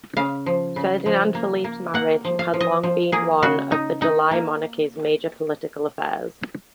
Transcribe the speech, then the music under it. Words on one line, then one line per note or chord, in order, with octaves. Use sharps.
Ferdinand Philippe's marriage had long been one of the July Monarchy's major political affairs.
C#3 F5
F3
C#3
F3
A#3
A#3
A#3 F#5
F3
F5
F3
D#5
F3
A#3 G#4
C#3 F#4
D#4
D#4
A#3